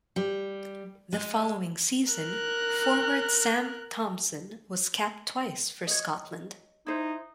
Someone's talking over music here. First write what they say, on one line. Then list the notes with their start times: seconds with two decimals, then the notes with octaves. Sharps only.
The following season, forward Sam Thomson was capped twice for Scotland.
0.16 G3
1.13 G#3
2.12 A#4 F#6
5.87 C#5 D#5
6.87 D#4 E4 C5